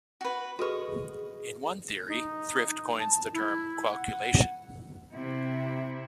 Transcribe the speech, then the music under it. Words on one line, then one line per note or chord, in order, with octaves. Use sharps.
In one theory, Thrift coins the term qualculation.
F#4 B4
F#4 G#4 A4 B4 D#5 C#6
D#4
A5
E4
F#5
C3 E4